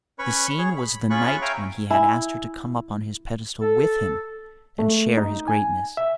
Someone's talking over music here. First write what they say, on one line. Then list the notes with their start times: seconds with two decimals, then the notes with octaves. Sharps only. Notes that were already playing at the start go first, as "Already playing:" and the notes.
The scene was the night when he had asked her to come up on his pedestal with him and share his greatness.
0.19 C#4 B4 C#5 B5 C#6
0.58 G#4 C#5
0.76 B5
1.10 C#4 F4 G#4 B5 C#6 F#6
1.42 C#5 E5 F5 G5 G#5 A#5
1.91 E4 G#5
3.62 A4
4.79 A3
5.17 D#4
5.48 G#5
5.97 E5